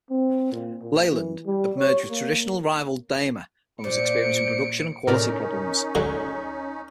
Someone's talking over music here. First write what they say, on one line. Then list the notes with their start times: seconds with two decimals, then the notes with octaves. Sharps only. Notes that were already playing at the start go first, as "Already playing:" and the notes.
Leyland had merged with traditional rival Daimler and was experiencing production and quality problems.
0.10 C4
0.52 A#2
0.83 A#2
1.11 E3
1.46 G3
1.78 C#5
2.10 A#3
3.84 A#2 C5 D5 C#7 D7
5.07 A2 C3 C#4 D#4 A#4 D5
5.95 D2 D3 F#3 G#3 F#4